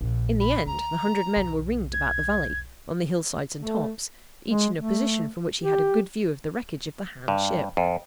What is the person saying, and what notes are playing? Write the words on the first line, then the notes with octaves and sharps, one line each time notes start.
In the end, the hundred men were ringed about the valley, on the hillsides and tops, each in a position from which he had a good view of the wreckage of the Han ship.
A#1
B5
D2 A#5
B1 E2
G#6
A3
G#3
A3
G4
G2
F2